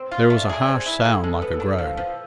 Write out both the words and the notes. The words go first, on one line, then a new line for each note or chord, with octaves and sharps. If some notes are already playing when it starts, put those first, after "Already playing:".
There was a harsh sound like a groan.
Already playing: C4
F4
A3 D5
E5
G#4 D5
C4
E4
G#3 A4
G#3 A4
B3 B4
A4
D4
F3 F5
F3